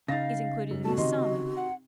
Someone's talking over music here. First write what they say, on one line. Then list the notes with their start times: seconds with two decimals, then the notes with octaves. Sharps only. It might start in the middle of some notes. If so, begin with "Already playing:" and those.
"Is included in this sum."
0.08 C#3 D#4 F5 A6 A#6
0.71 F#2
0.84 B2 A3 F#4 A5
0.98 C3 D#3 D#5 C6
1.57 F#5